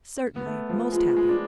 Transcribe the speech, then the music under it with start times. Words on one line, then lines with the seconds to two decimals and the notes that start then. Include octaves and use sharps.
"Certainly; most happy."
0.36 B3
0.46 A3
0.69 F3
0.92 G#3 F4
1.17 G#3
1.29 D4